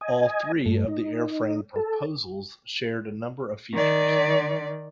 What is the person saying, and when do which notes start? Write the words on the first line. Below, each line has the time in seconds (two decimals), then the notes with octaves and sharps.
All three of the airframe proposals shared a number of features.
0.01 D#5 G#5
0.66 G2 A3
0.88 D#4
1.76 A4
3.73 D#3 D5